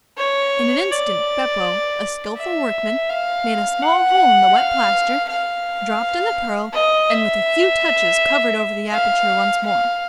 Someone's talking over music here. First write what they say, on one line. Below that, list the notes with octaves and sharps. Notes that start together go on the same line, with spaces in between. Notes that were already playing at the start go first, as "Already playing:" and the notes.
In an instant Beppo, a skilful workman, made a small hole in the wet plaster, dropped in the pearl, and with a few touches covered over the aperture once more.
C#5
D5
E5
F5
F#5
F5
F5
D#5
E5
F5
F5